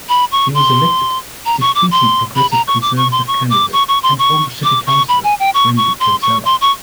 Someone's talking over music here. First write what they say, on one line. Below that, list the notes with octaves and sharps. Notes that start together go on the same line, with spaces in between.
He was elected, defeating Progressive Conservative candidate and former city councillor Wendy Kinsella.
B5
C#6
C6
A#5
C#6
D6
C6
B5
A#5
C#6
D6
C#6
C6
C#6
D6
C#6
C#6
C6
C#6
D6
C#6
B5
G#5
G5
C#6
C#6
C6
C#6
C6
C#6